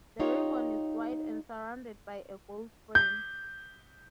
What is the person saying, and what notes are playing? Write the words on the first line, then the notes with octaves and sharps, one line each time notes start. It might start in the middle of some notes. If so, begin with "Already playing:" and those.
The ribbon is wide and surrounded by a gold frame.
D#4 F4 G4 C#5
G6